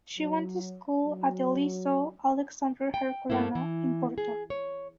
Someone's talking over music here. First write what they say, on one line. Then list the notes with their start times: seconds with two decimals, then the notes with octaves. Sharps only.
She went to school at the "Liceu Alexandre Herculano" in Porto.
0.19 F#3
1.05 F#3
2.94 G5
3.30 G2 A3 A#3 C4 E4
3.55 E3
4.18 G#4
4.50 C#5